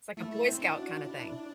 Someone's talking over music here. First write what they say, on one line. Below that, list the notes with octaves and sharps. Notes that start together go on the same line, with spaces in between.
It's like a Boy Scout kinda thing.
A3 E4
A3
C4 E4
D4
F#4
E4